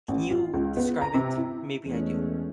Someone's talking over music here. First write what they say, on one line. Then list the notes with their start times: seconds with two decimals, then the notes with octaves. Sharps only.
Can you describe it? Maybe I do.
0.08 A1
0.31 F4
0.54 C#2
0.77 B3
1.01 A#5
1.14 C3
1.37 E4
1.85 E2 G#3 A3 C#4